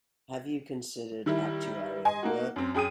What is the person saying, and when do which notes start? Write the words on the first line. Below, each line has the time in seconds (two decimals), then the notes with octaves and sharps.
Have you considered actuarial work?
1.26 D#3 G3 E4
2.05 D#5 G#5 C6
2.23 A#3 D#4 F#4
2.56 F#2 C4
2.74 F#2 G#4 G5 D#6 D#7